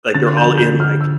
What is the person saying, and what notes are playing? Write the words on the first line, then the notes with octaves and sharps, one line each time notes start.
like, they're all in, like,
D3 A6
G6
F3
G6
D3
F6
E6